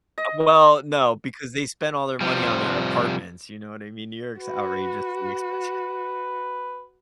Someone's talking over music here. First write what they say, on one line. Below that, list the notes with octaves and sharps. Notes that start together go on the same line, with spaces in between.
Uh, well, no, because they spend all their money on their apartments, you know what I mean? New York's outrageous, the expression.
D#5
C3 F3 G3
F#4 B4